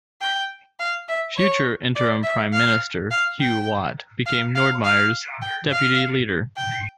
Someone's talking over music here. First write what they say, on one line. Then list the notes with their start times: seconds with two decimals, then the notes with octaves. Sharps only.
Future interim Prime Minister, Hugh Watt became Nordmeyer's deputy leader.
0.21 G5
0.79 F5
1.08 E5
1.38 C#5
1.95 D5
2.23 E5
2.53 F5
3.11 F5
3.40 G5
4.26 F5
4.55 F5
4.84 F5
5.42 G5
5.71 F5
6.56 G5